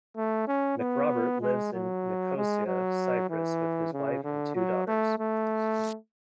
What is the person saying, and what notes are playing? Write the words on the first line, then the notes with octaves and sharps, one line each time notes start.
McRobert lives in Nicosia, Cyprus with his wife and two daughters.
A3
C#4
B3
G#3
F#3
G#3
F#3
E3
C#3
D3
F#3
A3
A3